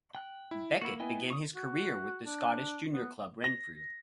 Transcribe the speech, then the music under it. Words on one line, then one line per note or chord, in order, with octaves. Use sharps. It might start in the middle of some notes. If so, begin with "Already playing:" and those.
Beckett began his career with Scottish junior club Renfrew.
G5 F#6
E4
A#3 E4 F#4
B3 E4 D#5 G5 G#5
C#6 D#6
F#4
D4
B3
A#6